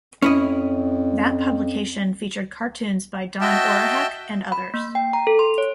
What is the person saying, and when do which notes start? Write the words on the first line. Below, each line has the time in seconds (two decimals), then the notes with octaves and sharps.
That publication featured cartoons by Don Orehek and others.
0.22 F2 C#4 E4 D#5
3.41 F#4 D#5 E5 G5 A5
4.52 B5
4.74 A#3
4.95 G5
5.13 A#5
5.27 A4
5.39 C6
5.58 C#5